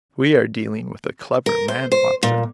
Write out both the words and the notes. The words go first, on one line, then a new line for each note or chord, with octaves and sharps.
We are dealing with a clever man, Watson.
A#4
C5
C5
A#2